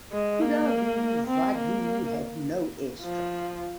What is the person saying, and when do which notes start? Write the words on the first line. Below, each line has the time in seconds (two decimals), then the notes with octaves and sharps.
Kudahuvadhoo had no airstrip.
0.12 G#3
0.40 A#3
1.28 C4
1.57 A#3
3.02 F3